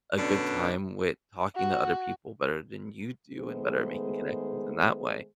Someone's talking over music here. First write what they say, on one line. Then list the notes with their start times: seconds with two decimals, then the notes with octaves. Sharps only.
a good time with talking to other people better than you do, and better at making connections in that way.
0.18 F#2 B2 D3 B3 C#4 D4
1.56 F#4
3.37 D#3 G#3 A3 B3 G#4 C5